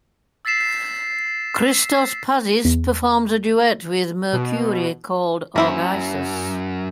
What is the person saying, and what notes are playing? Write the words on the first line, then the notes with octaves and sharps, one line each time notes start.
Christos Pazis performs a duet with Merkouri called "Argises".
E6 A6 B6 C7 E7
E2
B2
F#2 A#3 E4 C5